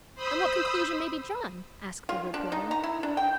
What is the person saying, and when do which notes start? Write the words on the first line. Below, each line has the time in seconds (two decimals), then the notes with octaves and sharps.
"Then what conclusion may be drawn?" asked the reporter.
0.15 C5 B5 D#6 E6
2.09 F4
2.34 D4
2.52 D#4
2.71 A#5
2.84 E4
3.03 D4
3.17 G5